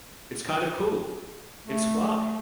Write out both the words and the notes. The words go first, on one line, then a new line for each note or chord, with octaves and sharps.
It's kind of cool, it's fly.
A3